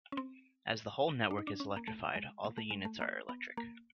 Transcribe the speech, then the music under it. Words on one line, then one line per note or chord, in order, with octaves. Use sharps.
As the whole network is electrified, all the units are electric.
C#4
C4
D4
D#4
D4
C#4
A#3
A3
G#3
A#3
A3
G#3
A3
A#3
B3
A#3